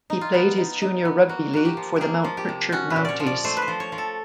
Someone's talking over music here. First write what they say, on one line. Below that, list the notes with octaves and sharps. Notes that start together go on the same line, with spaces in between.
He played his junior rugby league for the Mount Pritchard Mounties.
D#4
F4
B3
D#4
D#4
B3
A#3 F#4
A#3 F#4
G4
F3
A#3 G4 G#4
F3
G4
C3
C#4 F#4
B4
A#2
C#5 D5
F3
D5
A3 C5
B4
C5
F3
C#5
F3
A4